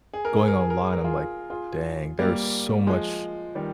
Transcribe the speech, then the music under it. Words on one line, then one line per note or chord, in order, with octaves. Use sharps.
going online, I'm like, "Dang there's so much
G#4
A#4
G#4
A#4
G#4
A#4
G#4
A#4
F4 G#4
F4 G#4
G3 A#3
F3 G#3
D#3 G3